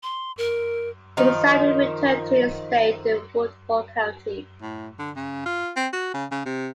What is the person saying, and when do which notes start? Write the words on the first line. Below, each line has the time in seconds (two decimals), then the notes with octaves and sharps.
He resigned and returned to his estate in Woodford County.
0.03 C6
0.38 A#4
1.17 D#3 F3 D#4
4.62 A2
4.99 D3
5.16 C#3
5.46 F4
5.76 C4
5.93 F#4
6.14 C#3
6.32 C#3
6.46 C3